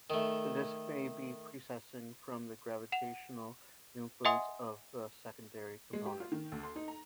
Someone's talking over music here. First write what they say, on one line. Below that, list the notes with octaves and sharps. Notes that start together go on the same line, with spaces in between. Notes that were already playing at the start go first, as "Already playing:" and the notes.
The disk may be precessing from the gravitational influence of the secondary component.
D#3 A3
F#5 E7 F7
D#5 E5 F#5 G#5 C6 D#6
G#3
G4
F4
D#3
D2
C6
D#4
A#5